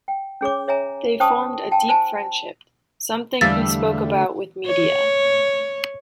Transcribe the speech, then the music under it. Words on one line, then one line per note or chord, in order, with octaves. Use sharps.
They formed a deep friendship, something he spoke about with media.
G5
C#4 G#4 C#5 D6
C#5 E5 G#5 A#5
C#4 C5 G5 A5 C#6 D#6
G5 A5
F4 C5 G#5 A5
E2 D3 G3 A3 F5 E6 A6 B6
C#5